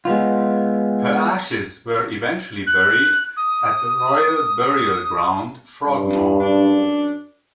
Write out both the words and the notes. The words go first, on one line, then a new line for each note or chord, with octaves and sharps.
Her ashes were eventually buried at the Royal Burial Ground, Frogmore.
G#3 B3 F4
F#6
D#6
G2
F#2 D4